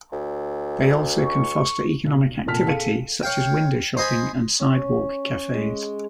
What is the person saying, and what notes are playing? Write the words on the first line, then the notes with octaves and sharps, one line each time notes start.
They also can foster economic activity, such as window shopping and sidewalk cafes.
D2
C#6
B1
F1 A#2 A5 F6 B6
G#4 A4 F5 C#7 D#7
C#5 F5 G5
C5 D#5 G#5 B5
C#4
G#3